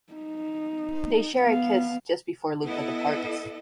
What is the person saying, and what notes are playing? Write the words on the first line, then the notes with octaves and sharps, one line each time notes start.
They share a kiss just before Luca departs.
D#4
B3 F5
B3 E4 A4 D#5